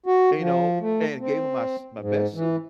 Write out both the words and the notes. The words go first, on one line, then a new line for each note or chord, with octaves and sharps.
you know, and gave 'em my s my best suit
F#4
F3
A3
C4
G#2
E3